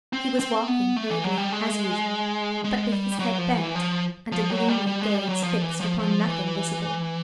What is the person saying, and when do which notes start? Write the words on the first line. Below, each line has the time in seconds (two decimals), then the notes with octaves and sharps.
He was walking hurriedly, as usual, but with his head bent, and a gloomy gaze fixed upon nothing visible.
0.13 C4
0.40 C4
0.68 B3
0.96 A3
1.10 E3
1.24 F#3
1.38 G3
1.52 G#3
2.64 G#3
2.92 G3
3.19 F#3
3.38 F3
3.57 E3
3.75 F3
4.32 F3
4.50 F#3
4.68 G3
4.87 G3
5.02 G#3
5.15 G3
5.29 F#3
5.43 F3
5.62 E3
5.80 F3
5.99 F3
6.27 E3